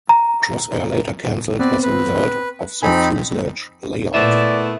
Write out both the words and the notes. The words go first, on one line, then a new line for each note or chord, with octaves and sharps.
Crossair later cancelled as a result of the fuselage layout.
A#5
B3 C4 B4 D5
B4
F2 C4 D#4 G#5 B5
A#2 A3 B3 E4 C5 D5 E5